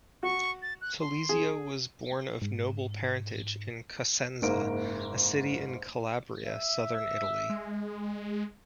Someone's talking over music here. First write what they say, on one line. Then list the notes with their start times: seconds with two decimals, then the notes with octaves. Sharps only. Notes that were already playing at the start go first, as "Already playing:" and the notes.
Telesio was born of noble parentage in Cosenza, a city in Calabria, Southern Italy.
0.23 F#4 C#6
0.62 A6
0.81 F#6
1.00 C6
1.29 G#4
2.42 G#2
4.42 F#1 G#2 A#3 D7
6.46 E5
7.50 G#3